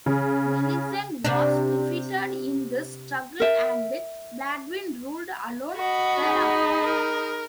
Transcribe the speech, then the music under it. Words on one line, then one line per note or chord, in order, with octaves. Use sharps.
Melisende was defeated in this struggle and Baldwin ruled alone thereafter.
C#3
C3 D4
A#4 E5
F#4 D#5 B5
D#4 G#4
A#4